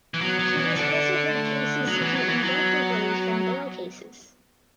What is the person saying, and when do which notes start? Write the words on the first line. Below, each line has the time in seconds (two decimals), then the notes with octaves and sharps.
She has also heard cases seeking injunctive relief and bail cases.
0.14 E3
0.21 F#3 B3
0.39 F#3
0.57 E3
0.76 D3 D4
1.32 A3
1.87 F#3 B3
2.02 E3
2.16 F#3
2.29 E3
2.43 F#3